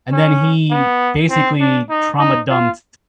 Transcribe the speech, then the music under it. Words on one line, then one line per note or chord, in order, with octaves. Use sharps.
And then he basically trauma-dumped
C#4
B3
C4
D4
D#4
D#4
F4